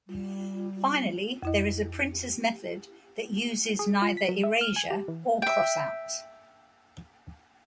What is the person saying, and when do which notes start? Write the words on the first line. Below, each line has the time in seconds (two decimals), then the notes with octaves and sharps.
Finally, there is a printers method that uses neither erasure or crossouts.
0.08 G3
1.43 F2 E4 D#5
3.79 G#4
4.02 F4
4.17 B6
4.29 F#3
4.44 E5
4.61 F6
4.76 G#5
4.91 G4
5.08 E3
5.42 E5 G5